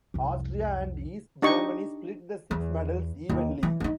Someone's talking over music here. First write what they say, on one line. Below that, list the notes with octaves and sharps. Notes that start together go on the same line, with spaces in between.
Austria and East Germany split the six medals evenly.
C2 F2
D4 D#4 G4 D#5 C#6
E2
D#2
E3
C#4 D#4